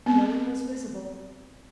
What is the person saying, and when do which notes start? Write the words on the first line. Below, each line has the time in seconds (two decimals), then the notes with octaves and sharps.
No one was visible.
0.06 B3 C4